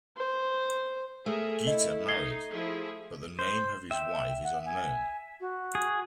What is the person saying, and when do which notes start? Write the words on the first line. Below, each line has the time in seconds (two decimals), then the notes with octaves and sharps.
Geta married, but the name of his wife is unknown.
0.17 C5
1.26 A3 G#4 A#4 E5
1.67 E4 D#5
2.08 D#4 G#6 C7 G7
2.51 F3 E4 G#4
3.39 C5
3.91 E5 G5
4.44 F#5
4.66 G#5
5.40 F#4
5.75 G#4